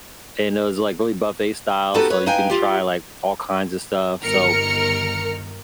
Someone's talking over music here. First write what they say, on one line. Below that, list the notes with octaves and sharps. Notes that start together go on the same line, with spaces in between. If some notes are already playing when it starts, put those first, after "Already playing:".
and it was, like, really buffet style, so, you can try, like, all kinds of stuff. So,
B3 D#4 F#4 G4 A4 B4
B4 C#5
D#4 B4 F5 G5 G#5
F4 G4
G1 D#3 A#4 F6 C#7